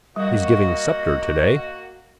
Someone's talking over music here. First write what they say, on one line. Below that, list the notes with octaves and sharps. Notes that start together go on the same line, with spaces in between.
He's giving Sceptre today.
G3 A#3 F#4 D#5